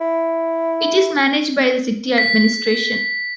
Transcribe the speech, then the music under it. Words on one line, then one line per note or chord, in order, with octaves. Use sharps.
It is managed by the city administration.
E4
B6